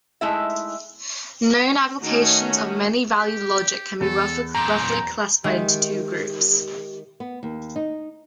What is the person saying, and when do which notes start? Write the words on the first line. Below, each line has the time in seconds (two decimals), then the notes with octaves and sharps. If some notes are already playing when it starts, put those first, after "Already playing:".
Known applications of many-valued logic can be roughly classified into two groups.
0.21 G#3 A3 D#4 E4 E5
2.02 D#3 A3 C#4 D#4 F#4
3.18 G4
4.01 E2 A4
4.55 F#2 A#2 G5 A#5
5.44 D#3 G#3 G4 G#4 E5
7.20 B3
7.43 D#2
7.76 D#4